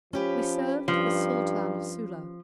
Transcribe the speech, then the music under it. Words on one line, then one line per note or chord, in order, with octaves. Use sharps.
We served the Sultan of Sula.
F3 C#4 G4 B4
G2 F3